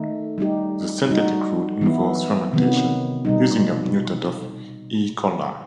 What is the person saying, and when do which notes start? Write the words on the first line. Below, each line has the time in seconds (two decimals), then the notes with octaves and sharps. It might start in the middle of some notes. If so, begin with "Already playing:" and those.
The synthetic route involves fermentation using a mutant of "E. coli".
Already playing: D#3 A3 D#4
0.38 G3 D#4 G4
1.09 G3 D#4 F#4
1.81 E3 B3 E4
2.53 C3 D#3 F#3 B3
3.25 B2 G3 D#4